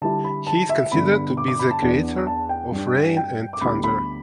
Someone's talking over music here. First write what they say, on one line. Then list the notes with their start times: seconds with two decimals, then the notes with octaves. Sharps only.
He is considered to be the creator of rain and thunder.
0.02 D3 G3 E4 A5
0.24 B5
0.47 A5
0.69 E5
0.92 G2 D3 B3 B5
1.14 B5
1.37 D6
1.48 D6
1.59 B5
1.71 A5
1.82 E2 E3 B3 D4
2.27 A5
2.49 G5
2.72 G2 G3 D4
3.17 G5
3.53 D6
3.61 D2 D3 G3 B3 E4 B5
3.84 B5